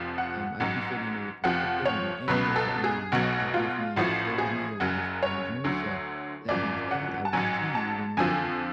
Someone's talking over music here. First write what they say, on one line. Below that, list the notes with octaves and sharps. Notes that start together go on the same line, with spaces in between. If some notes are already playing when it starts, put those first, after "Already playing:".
um, I appreciate, you know, your perspective and the anecdotes that you sat with me and shared with me over this long journey, so with that being said, I will see you when you're older.
Already playing: F1 F2 F3
F#5
A1 G#2 F#3
F1 F2 F3 F#5
C#5
C#2 B2 F#3 B4
A4
G#4
B1 B2 F#3 F#4
F4
A1 A2 F3 F#4
G#4
F#1 F#2 C#3 F#3 F#4
C#5
D2 D3 F#3
G#1 F#2 F3 D5
F#5
A5
A1 G#2 F#3 G#5
A5
F2 D3 F3 G#5